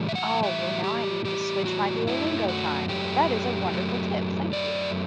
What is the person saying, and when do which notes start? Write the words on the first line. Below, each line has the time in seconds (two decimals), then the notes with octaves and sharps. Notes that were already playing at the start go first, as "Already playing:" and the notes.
Oh, well, now I need to switch my Duolingo time, that is a wonderful tip, thank you.
Already playing: A2 E3 G3
0.09 E5
0.15 F#5
0.43 A2 E3 G3 E5
0.84 G4
1.25 A2 E3 G3 G4
1.66 F#4
2.07 F#2 F#3 A3 E4
2.48 F#4
2.88 F#2 F#3 A3 G4
3.71 F#2 F#3 A3
4.52 F#2 F#3 A3 D5